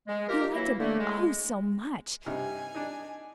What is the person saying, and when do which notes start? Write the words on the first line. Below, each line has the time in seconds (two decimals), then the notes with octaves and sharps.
He liked them,--oh, so much!
0.07 G#3
0.28 F4 G4 A#4
0.55 E3 F#3 A#3 E4
0.79 D3 A3 A#3
0.99 G#3
2.26 G2 C3 D#4 G#5
2.75 D4 D#4